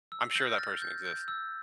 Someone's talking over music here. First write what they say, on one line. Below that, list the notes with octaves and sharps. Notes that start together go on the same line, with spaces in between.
I'm sure that person exists,
E6
G6 A#6
F6 A6
G6
G6
E6